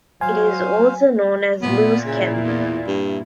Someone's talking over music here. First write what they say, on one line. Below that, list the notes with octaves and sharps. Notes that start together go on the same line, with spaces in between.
It is also known as loose candy.
F#3 C5 F5 G#5
A#2 B3 E4
C#3
E2
G2